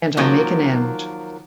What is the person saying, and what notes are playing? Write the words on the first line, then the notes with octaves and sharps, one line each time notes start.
And I make an end.
D#3 F3 F#3 A#3